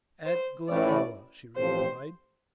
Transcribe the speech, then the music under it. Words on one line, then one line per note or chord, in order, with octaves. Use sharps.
"At Glenalla," she replied.
C5
A1 A2 E3 D5
A1 A2 F3 C4 G4 C5